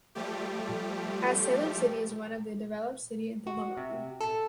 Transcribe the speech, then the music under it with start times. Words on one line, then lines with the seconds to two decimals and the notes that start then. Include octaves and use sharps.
As Salem city is one of the developed city in Tamilnadu.
0.15 F3 G3 A3 G4
3.47 F#4
3.77 C3
4.20 A4